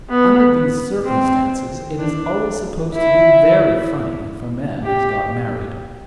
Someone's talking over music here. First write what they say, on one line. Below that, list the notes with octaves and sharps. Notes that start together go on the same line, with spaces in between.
Under these circumstances it is always supposed to be very funny if a man has got married.
B3
C4
D4
E4
G4